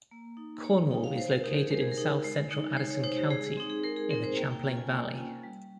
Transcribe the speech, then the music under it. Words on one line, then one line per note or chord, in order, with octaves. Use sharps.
Cornwall is located in south-central Addison County, in the Champlain Valley.
A#3
D#4
A#3 C#5
C#5
D#4 G5
F5
G#3 C5
A#4
D#4 G4
G#4
G#3 A#4
G#4
A#4
D#4
G#3
D#4
G#3 C#5
C#5
D#4 C5
G4
G#3 G#4
G#4
C4 D#4 G#4
G#4
G#3 A#4
G#4
C4 D#4 A#4
C5
A#3 G5
G5
C#4 F4 G5
G#5
A#3 G5
C#4 F4
G3